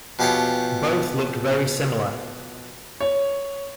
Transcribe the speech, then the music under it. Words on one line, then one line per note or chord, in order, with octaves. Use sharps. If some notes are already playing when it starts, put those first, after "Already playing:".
Both looked very similar.
B2 F3 G4 G#4 C#5 G5
C#5